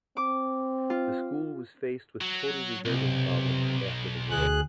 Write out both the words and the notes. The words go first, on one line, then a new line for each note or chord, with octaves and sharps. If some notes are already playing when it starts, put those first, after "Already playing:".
The school was faced with total rebuilding problems after the war.
C4 D6
F4
F#3
B1 C3
D2 G#4 F#6